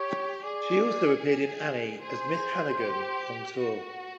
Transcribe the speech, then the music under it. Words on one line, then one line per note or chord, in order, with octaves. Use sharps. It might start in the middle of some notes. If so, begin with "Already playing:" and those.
She also appeared in "Annie" as Miss Hannigan on tour.
Already playing: G4 C#5
G#4 D5
G#4 C5
G4
F#4